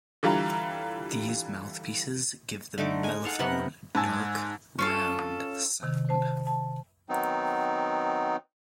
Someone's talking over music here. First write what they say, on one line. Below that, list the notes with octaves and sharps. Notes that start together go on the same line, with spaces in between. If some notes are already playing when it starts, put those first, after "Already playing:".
These mouthpieces give the mellophone a dark, round sound.
D3 E3 G3 F4 A#5
D3 A3 D#4 D6
G#3 G#5
A4 F5 F#5
C3 B3 A#4 F#5
G#2 G#5 A5 E6 G#6
C#4 F4 A4
C3 D#3
C5 A5
A5
D#3 F#3 B3 C4 D#4